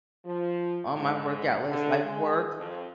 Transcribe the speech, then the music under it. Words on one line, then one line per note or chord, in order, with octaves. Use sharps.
on my workout list, like, Work,
F3
G#2
D3
G#3
F2